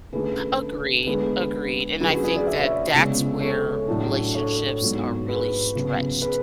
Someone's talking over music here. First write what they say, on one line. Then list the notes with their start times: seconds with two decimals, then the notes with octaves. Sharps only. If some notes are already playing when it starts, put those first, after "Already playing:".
Agreed, agreed. And I think that that's where relationships are really stretched
0.13 D3 A3 C#4 G#4 B4
1.07 D3 G#3 B3 G#4 B4
2.00 D3 F#3 C#4 G#4 B4
2.12 G#4 B4
2.24 G#4 B4
2.35 B4 D5
2.47 E5
2.55 D5
2.64 C#5 E5
2.94 C#3 G#3 B3
3.40 A4 C#5
3.88 A2 F#3 A3 D4
4.35 A4 C#5
4.81 G#2 F#3 B3
5.28 G#4 B4
5.75 C#3 F#3 B3
6.22 G#4 B4